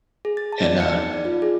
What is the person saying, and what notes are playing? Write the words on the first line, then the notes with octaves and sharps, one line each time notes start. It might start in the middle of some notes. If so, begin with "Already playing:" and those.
and, uh
G#4
A6
A5
D5
C#7
D#4
D5
F4
G#4